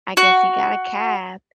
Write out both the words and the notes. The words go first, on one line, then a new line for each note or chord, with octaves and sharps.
I guess he got a cab
F#4